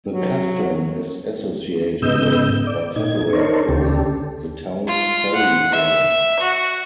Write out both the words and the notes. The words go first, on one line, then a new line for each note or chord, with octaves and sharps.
The custom is associated with, but separate from, the town's Ferry Fair.
F#3
G#2 C#3 B3 D#5 E6 G6
D5
A#2 D#4 G#6
D4 D#4 A4 A#4 C5 C#5
D2 C#3 D4 G4 A4
F4
F#5
E5
F#4